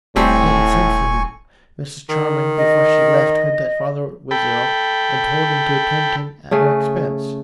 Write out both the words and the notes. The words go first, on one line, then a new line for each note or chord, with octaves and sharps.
"I didn't send for him Mrs. Charmond, before she left, heard that father was ill, and told him to attend him at her expense."
D#1 A2 G3 A3 C4 G#5 C#6
D#3
D#5
A4 G5 B5
C#3 A3 G#4